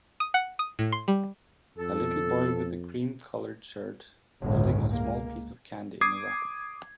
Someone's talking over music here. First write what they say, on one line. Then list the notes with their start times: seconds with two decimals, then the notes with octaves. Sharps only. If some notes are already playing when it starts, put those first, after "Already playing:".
A little boy with a cream colored shirt holding a small piece of candy in a wrapper.
0.20 D#6
0.34 F#5
0.59 D#6
0.79 A2
0.92 C6
1.08 G3
1.78 F2 A4
4.43 G1 C#2 A2 G#3
4.89 G#3 A#3
6.01 D6 D#6 G#6 C7